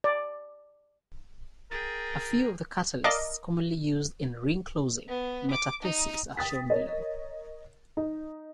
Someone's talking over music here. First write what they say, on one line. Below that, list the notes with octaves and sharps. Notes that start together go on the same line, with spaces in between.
A few of the catalyts commonly used in ring-closing metathesis are shown below.
D5
G#4 A#4 G5 A6
A#4 D5 D#5 F5 A5 D6
B3
D6
D#4
G5 D#6 A6 B6
A#4 C#5 D#5
D#4